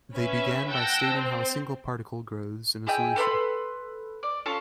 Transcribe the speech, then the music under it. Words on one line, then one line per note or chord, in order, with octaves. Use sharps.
They began by stating how a single particle grows in a solution.
C#4 B4 E5
F#5 G5 A5 E6 G6 A#6
C4 C5
E4 G#4 D#5 G5
A4 B4 B5 C6
D5
C#4 F4 A4 A5